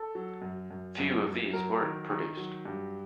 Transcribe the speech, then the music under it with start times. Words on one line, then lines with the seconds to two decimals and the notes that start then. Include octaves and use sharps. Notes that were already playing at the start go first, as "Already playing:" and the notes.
Few of these were produced.
Already playing: A4
0.15 F#3
0.42 F#2
0.71 F#2
0.98 F#2
1.26 F#2
1.53 F#3 A#4
1.81 D#3
2.10 D#3
2.37 F#3
2.65 G2